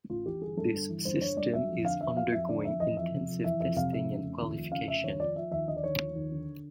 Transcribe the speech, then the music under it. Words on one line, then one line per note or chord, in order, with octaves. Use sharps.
This system is undergoing intensive testing and qualification.
A1 F4
E3 G4
G1 G#4
G2 A4
G1
E3
G1 C5
G2 C#5
G1 D5
F#3 E5
F2
D3 F5
F2 E5
F#3 F5
F2 E5
D3 D5
F2 E5
E3 D#5
F2 E5
C3
F2
E3 E5
F2 E5
C3 F5
F2 E5
C#3
F1
D#2
F3
C#3 F5
F1 E5
D#2 C#5
F3 D5
F3 E5
D#2 E5
D3 D#5
D5
D#2 C#5
F3
D#2
D3